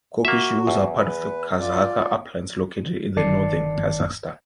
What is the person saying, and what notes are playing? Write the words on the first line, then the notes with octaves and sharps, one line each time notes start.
Kokshetau hills are part of the Kazakh Uplands located in the northern Kazakhstan.
A#3 F#4 E5
E2
B4
F4 D5
G1 D#3 D5 A5 C7 C#7